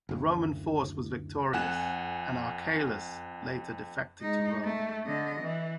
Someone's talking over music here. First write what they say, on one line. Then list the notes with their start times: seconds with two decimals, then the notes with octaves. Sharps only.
The Roman force was victorious, and Archelaus later defected to Rome.
0.09 F#1 D2
1.53 F2 F#5 G#5 F#6 E7
4.21 G#3 D#4
4.64 A3
5.06 D3 D#5
5.41 E3